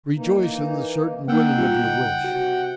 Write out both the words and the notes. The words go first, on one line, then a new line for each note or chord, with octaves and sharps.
Rejoice in the certain winning of your wish!
E3 A#3 D#4
A#3 D#4 F#5 G5 E6
C#3 G3 F4
C3 F#4